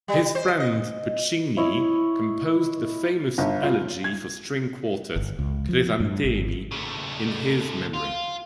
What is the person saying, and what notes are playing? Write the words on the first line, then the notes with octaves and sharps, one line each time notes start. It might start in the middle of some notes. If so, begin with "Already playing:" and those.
His friend Puccini composed the famous elegy for string quartet "Crisantemi" in his memory.
G3
C5
D#5
E4 C#5 D#5
G1
F4
G#6
G1
C#2
F3
G2
G#1
C#3 A3
F4